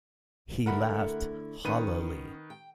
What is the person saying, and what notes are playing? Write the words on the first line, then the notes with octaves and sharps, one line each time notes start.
He laughed hollowly.
D3 A3 E4 A#4 F#5 B5
D#3 B3 C#4 B4 D#7
G5